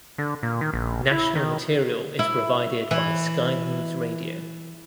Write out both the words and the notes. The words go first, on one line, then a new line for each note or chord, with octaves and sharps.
National material is provided by Sky News Radio.
D3
A#2
D#3
A#1
E4
D#3
E4
E3